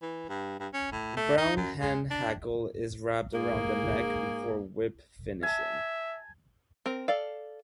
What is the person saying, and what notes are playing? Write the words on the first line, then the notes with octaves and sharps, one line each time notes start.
A brown hen hackle is wrapped around the neck before whip finishing.
E3
G2
G2
C#4
A2
A3
D#4
F#2
G#3
D4
G#2 A#3 G#4
E5 G#5 A5
C4 A#4
A4 D5 F5